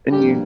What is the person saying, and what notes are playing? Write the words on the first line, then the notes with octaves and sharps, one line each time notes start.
And you
G2 F3 A#3 G4